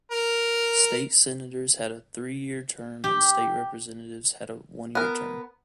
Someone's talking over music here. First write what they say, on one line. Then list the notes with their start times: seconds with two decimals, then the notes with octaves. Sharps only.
State Senators had a three-year term and State Representatives had a one-year term.
0.11 A#4
3.04 G4
4.95 B3 A#4